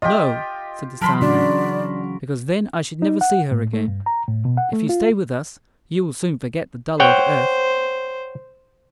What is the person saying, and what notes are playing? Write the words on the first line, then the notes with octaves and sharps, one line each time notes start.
"No," said the Star-man, "because then I should never see her again. If you stay with us you will soon forget the dull old earth."
F4 G4 D#5 G5
E3 F#3 A#4 A5 B5 C6
C#3 D4 F#4 D5
D#4
F#5
A2
A3
G2
A#5
A2
B2
F#5
A3
F4
C5 C#5 F#5 G5